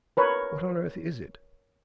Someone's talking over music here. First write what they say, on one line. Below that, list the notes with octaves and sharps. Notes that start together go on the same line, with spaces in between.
"What on earth is it?"
A#4 B4 C#5